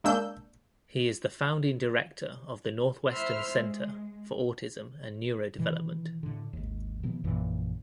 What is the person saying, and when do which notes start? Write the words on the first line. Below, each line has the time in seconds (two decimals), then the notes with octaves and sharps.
He is the founding director of the Northwestern Center for Autism and Neurodevelopment.
0.04 G#3 A#3 D4 E6 G6
3.10 E4 C5 E5 E6 F6
3.51 G#3
5.58 B2 D#3 E3
6.23 A2 D3
6.53 G#1 D#2
7.03 B2 D#3 F3 B3
7.24 A#1 F#2 A#2 E3